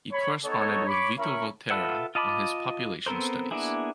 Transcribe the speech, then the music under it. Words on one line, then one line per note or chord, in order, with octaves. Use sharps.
He corresponded with Vito Volterra on his population studies.
C#5 B5
B3 D#4 A4 C#5
C#5 B5 D6
C#4 E4 A#4 E5 B5 C#6
F4 A4 B4 E5 F#5
F4 D#5 A5 B5 D6
B3 C4 A4 A#4 C5
A#3 B3 D4 E4 G#4